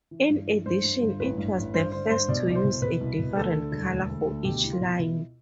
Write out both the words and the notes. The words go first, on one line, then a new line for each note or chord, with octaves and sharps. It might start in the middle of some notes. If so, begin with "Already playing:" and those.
In addition, it was the first to use a different color for each line.
E3
G2
E3
G2 C5
G2
G1
A1 B4
G2
A1
G2 C5
D3 C5
G2 C5
B2 D5
C2 D5
C5
B2
B2 B4
C2
B2
D2 A4
D3
E1
D2
D2
D2
B2 G4
C2
F4
B2
B2 E4